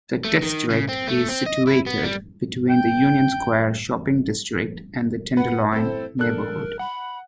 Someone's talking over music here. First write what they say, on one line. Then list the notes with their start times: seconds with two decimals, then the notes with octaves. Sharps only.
The district is situated between the Union Square shopping district and the Tenderloin neighborhood.
0.25 A3
0.42 D#3
0.70 C#3
0.89 C4
1.08 A3
1.28 C4
1.46 D#5
1.67 E4
1.86 B3
2.04 G3
2.70 G5
5.37 B4 F#5
5.73 C4 E4 A4 C5
6.19 D4 A4 A#4 F#6
6.79 F#5 B5